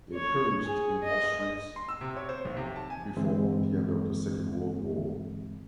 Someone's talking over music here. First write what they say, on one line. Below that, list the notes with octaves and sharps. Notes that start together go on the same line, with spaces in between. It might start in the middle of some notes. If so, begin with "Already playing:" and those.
They perished in Auschwitz before the end of the Second World War.
C#5
G#4
D#5
C6
E6
C3
C#5
C5
B1
C3
A5
G#5
G2 D3 E3 G#3 C4